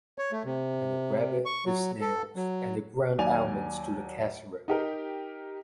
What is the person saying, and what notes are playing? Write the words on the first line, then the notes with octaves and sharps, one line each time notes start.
Add the rabbit, the snails and the ground almonds to the casserole.
C#5
A3
C3
C#6
F#3
A4
F#3
D#2 F#3 D5 G#5 F7
D#4 G4 A#4